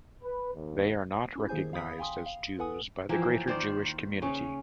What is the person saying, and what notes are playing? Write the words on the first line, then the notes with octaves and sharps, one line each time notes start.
They are not recognized as Jews by the greater Jewish community.
B4
D#2
C#4 E4 G4
D#3 A#3 G#4 C5 G#5 G6
F5 B5 D#6 B6
F5 G5 G#5 C6 D#6
F5
A4 B4 F#5 G#5 D#6
E3 F3 A#3 G5
D#3 C5 D5
C#3 C#4